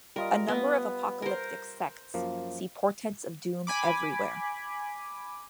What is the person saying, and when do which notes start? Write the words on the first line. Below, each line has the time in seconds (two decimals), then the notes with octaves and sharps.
A number of apocalyptic sects see portents of doom everywhere.
0.16 G3 F4 A#4 D#5
0.48 B3
1.22 A#4 C5
2.14 F#2 F3 A#3
3.67 G#5 B5 D6